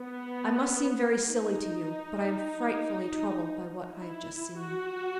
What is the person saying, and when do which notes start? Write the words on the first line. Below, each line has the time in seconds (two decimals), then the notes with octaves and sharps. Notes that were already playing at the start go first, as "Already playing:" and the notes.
"I must seem very silly to you, but I am frightfully troubled by what I have just seen."
Already playing: B3
1.26 D#4
3.92 E4
4.58 F#4